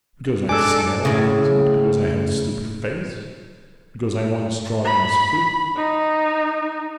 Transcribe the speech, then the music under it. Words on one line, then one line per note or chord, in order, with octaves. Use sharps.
Because I smell unpleasant, because I have a stupid face, because I once trod on his foot.
G#3 D4 A4 G#5 D6 E6
A2 C#3
B5
D#4